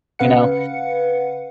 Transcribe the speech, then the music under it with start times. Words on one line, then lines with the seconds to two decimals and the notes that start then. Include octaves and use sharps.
You know,
0.19 C#3 B4 F5 F#5 C#7